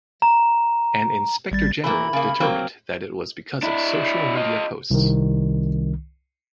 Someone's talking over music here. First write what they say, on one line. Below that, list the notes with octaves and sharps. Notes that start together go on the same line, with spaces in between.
An inspector general determined that it was because of social media posts.
A#5
G#1 G3 A6
E3 A3 A#3 B5
C#3 A#3
F#3 A#3 C4
D4 E4
F4 D#5
C2 D#3